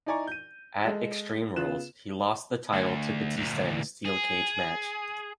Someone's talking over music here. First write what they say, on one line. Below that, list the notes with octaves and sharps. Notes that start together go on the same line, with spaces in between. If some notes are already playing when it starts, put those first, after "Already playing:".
At Extreme Rules, he lost the title to Batista in a Steel Cage match.
D#4 E4 D5 G#5 A#5 C#6
G6 D#7
G#3 A4
C#3 B3 F4 F#6 E7
D2
D2 A#2
G#4